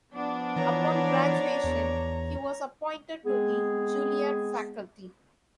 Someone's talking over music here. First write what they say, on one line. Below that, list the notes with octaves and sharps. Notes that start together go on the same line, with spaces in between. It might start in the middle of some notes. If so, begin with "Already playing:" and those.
Upon graduation, he was appointed to the Juilliard faculty.
F3 B3 D4 D5
E3 C#5 A#5
E2
G#3 B3 C4 G#4